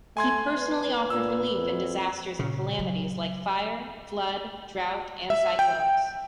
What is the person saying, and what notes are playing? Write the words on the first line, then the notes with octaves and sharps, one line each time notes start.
He personally offered relief in disasters and calamities like fire, flood, drought, and cyclones.
A3 G#5 C6 G#6
B4
A#2 E6
F2
A#2 C#3
F#3
E5
G5